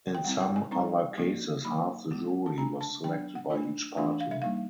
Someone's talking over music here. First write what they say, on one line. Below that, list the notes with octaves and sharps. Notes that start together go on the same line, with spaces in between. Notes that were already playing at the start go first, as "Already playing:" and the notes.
In some other cases half the jury was selected by each party.
G5
G3 C4 E4 F#5
G5
G#5
G3 C4 D#4 A#5
F3 A#3 D#4
F#3 A#3 D#4 B5
G#3 B3 E4
A5
A3 D4 F4 A#5
A5
F#3 B3 D4 G5
F#5
A3 D4 F4
E3 A3 D4 F4 F5
F5
E5
G3 A#3 D#4 F5